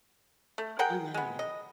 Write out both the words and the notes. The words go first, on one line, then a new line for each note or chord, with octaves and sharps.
Oh, yeah, yeah.
A3
G#4 A#4 F#5 G5
G#3 B3
D#5